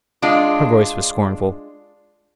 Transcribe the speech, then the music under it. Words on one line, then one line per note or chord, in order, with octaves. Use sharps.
Her voice was scornful.
G#3 D4 F4